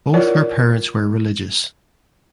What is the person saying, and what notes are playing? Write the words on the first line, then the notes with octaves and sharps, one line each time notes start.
Both her parents were religious.
E4 F4 A#4 C#5 D5 F#5